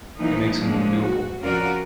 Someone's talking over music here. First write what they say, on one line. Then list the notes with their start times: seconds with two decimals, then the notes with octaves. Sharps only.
It makes it more doable.
0.18 E3 F3 A#3 D#4
0.57 A2 F3 G#3 A#3 C#4 D4
0.98 F#4
1.41 F2 C#4 F4 F#4 A#4 D5